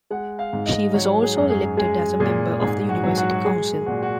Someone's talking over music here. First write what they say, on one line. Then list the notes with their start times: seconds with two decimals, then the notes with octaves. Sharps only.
She was also elected as a member of the University Council.
0.10 G#3 F#5
0.39 F5
0.53 G#2
0.66 D#5
0.94 F#3 C#5
1.23 G#4
1.36 F#2
1.50 G#4
1.77 G#3 G#4
2.20 A#2 G#4
2.61 G#2 G#4
2.89 F#4
3.04 F#3
3.17 F#4
3.34 F#4
3.45 G#3 G#4
3.86 A#2 F#4
4.02 F#4